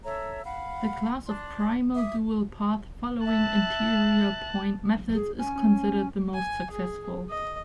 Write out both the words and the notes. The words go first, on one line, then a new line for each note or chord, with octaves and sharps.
The class of primal-dual path-following interior point methods is considered the most successful.
A4 C#5 E5 A#5
F5 F#5 B5
D4 C6
E5 D6 D#6
E5 A5 F#6
G#4
C#4 G#5
C#4
G#5
G#4
D#5